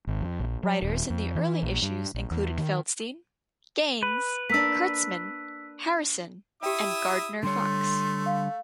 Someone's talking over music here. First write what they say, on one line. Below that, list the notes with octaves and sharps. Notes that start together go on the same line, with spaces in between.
Writers in the early issues included Feldstein, Gaines, Kurtzman, Harrison and Gardner Fox.
G#1
F2
A#1
F#3
D#1
F2
E3
A#1
G2
A#1
E2
D#3
B4
A#3 D4 E6 B6
E4 G4 E5 G5 D#6
D3 G3 A3 C#5 C6
F5